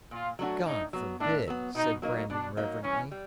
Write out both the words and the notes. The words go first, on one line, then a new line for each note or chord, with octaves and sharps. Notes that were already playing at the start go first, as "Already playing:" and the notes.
"God forbid!" said Brandon reverently.
A#2 F4
F#3 A3 D4 F#4
A2 D#4
F#3 B3
A2 D4
F#3 B3
B2 D#4
F#3 A#3 D#4
B2 D4
F#3 A#3 D#4
E3 C#4
G3